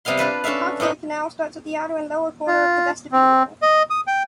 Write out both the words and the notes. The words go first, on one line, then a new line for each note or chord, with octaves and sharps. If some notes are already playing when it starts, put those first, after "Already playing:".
The cochlear canal starts at the outer and lower corner of the vestibule.
C3 G3 B3 F5 C6
D4 F4 B4 A5
C#4 D4 A4 E5 F5
A2 B3 C4 D#4
F4
C4
D#5
D#6
G5